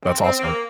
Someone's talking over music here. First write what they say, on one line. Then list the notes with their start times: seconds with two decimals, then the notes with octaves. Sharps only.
That's awesome.
0.04 C4
0.24 C4
0.38 C4
0.44 A#3